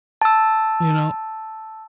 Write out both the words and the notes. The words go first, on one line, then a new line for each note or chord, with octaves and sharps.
You know
A5 E6